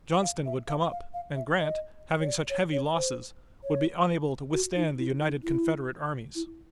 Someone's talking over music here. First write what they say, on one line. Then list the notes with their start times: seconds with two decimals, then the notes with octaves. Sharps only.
Johnston would come up, and Grant, having such heavy losses, would be unable to withstand the united Confederate armies.
0.22 F5
0.46 E5
0.68 F5
0.91 F5
1.14 F5
1.36 E5
1.59 D#5
2.20 C#5
2.27 D5
2.50 C#5
2.72 C#5
2.94 C5
3.64 C#5
4.53 F#4
4.76 D#4
4.99 E4
5.22 D#4
5.44 E4
6.35 E4